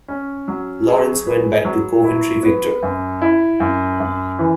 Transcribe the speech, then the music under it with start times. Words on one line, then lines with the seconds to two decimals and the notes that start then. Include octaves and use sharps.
Lawrence went back to Coventry-Victor.
0.08 C#4
0.48 F#3
0.88 G#4
1.27 B4
1.65 F#3
2.04 E4
2.43 B3
2.83 F#2
3.21 E4
3.60 F#2
4.00 F#2
4.39 E3